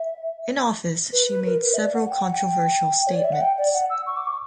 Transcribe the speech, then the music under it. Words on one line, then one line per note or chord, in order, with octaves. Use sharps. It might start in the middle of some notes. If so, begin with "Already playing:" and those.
In office she made several controversial statements.
Already playing: E5
B4
B4
A#4
B4
E5
D5
F#5
G5
F#5
G5
C#5
D5
E5
F#5
G5
D5
F#5
E6
C#6
D6
C#6